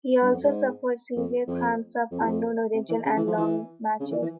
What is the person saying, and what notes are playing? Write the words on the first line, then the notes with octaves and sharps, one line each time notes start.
He also suffered severe cramps of unknown origin in long matches.
G2
F2
G#2
F2
F2
F2
E2
F2
C3
E3
C#3
E3
F3
E3
C#3
E3
E3